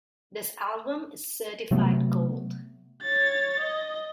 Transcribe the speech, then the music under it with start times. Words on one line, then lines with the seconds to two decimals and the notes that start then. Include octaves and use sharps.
This album is certified gold.
1.71 C3 F#3 A3 B3
3.02 C#5 A6
3.59 D#5